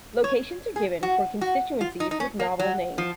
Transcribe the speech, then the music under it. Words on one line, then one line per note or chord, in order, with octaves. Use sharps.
Locations are given for constituencies with novel names.
C#5
G#4
F#4
F#4
F4
D#4
D#4
C#4
A#3
F#3
F3